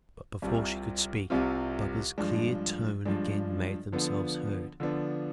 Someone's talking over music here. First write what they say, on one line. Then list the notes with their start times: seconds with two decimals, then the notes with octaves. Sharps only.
But before she could speak, Baba's clear tones again made themselves heard.
0.42 C2 C3 G3 C4 F4
1.30 C2 C3 G3 C4 F4
2.18 G2 F3 G#3 D4
3.05 G2 F3 G#3 D4
3.92 D3 F3 B3 D4
4.80 D3 F3 B3 D4